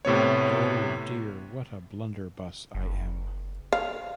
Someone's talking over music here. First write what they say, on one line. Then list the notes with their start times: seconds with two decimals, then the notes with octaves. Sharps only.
Oh, dear, what a blunderbuss I am!
0.05 A2 C3 B3 C#5
2.75 F#1
3.73 F5